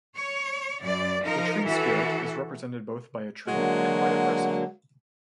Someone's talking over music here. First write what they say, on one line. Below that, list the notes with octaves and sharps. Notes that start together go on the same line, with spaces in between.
The tree spirit is represented both by a tree and by a person.
C#5
F#2 D5
F3 D#4 A#4
E3 F#4 A4
D3 F#3 G#3 A#3 F#4